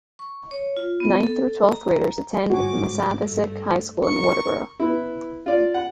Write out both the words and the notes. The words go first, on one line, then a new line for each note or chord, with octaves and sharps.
Ninth through twelfth graders attend Massabesic High School in Waterboro.
C#6
C#5
F4
B3
A4
A#5
G1 G#2 F#4 G#5 D6
G2 A3
A#4 C#6 C#7
B3 E4
F4 D5
F#5